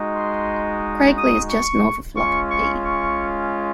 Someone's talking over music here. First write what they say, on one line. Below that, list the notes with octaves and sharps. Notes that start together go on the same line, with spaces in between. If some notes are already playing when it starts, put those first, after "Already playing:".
Craiglee is just north of Loch Dee.
Already playing: G#3 D#4 F#4
C6
D#6
C#6
G#3 C#4 F4 C#6
C#6
C#6